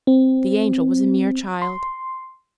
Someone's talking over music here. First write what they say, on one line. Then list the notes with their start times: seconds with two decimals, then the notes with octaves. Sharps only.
The Angel was a mere child.
0.07 C4
1.62 C6